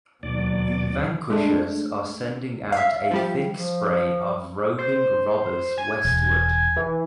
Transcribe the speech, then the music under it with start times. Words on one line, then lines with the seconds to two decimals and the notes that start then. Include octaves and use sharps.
The vanquishers are sending out a thick spray of roving robbers westward.
0.23 D#2 B2 F#3 D5
1.30 G#3 A3 D4
2.72 E5 F5
3.11 F3 G3 G4
3.56 F3
4.78 C5
5.78 G#5
6.05 E1
6.77 E3